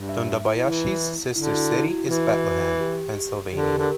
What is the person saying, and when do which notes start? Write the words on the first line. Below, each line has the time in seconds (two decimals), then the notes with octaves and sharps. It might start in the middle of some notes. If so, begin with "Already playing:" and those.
Tondabayashi's sister city is Bethlehem, Pennsylvania.
Already playing: G2
0.09 E5
0.46 E4
0.63 E3 E4
1.36 D3 E4
1.46 F#4
1.54 E4
1.72 E4
1.90 F#4
2.08 E3 E4
2.27 F#4
2.81 G4
3.53 D3 G4
3.62 A#4
3.72 G4
3.78 D3 A#4